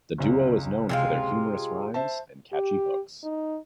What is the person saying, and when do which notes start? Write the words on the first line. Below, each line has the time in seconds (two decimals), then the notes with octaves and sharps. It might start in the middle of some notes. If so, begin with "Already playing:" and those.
The duo is known for their humorous rhymes and catchy hooks.
0.18 F#1 C#2
0.89 C3 G#3 F4
1.94 C5 E5 A5
2.53 G4
3.24 D#4